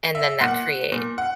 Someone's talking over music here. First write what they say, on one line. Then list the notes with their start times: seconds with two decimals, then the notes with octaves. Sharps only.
and then that create
0.15 E5
0.41 A#2 F#5
0.92 A#2
1.18 F#5